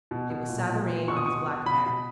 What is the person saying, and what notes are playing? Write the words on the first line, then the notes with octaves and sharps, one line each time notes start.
It was Savareen on his black mare.
B2
B2
A#2
A#2
A#2
B2 C#6
D#6
B2 C#6
B2
B2 B5
B2